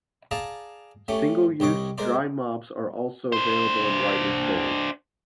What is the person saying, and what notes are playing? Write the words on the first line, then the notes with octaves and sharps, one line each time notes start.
Single-use dry mops are also available and widely sold.
G#4 D5 F5 A5 A#5
A3 C#4 G4
C2 G4 C#5 D#5 D6
G#3 A#4 C5 D5
D4 C5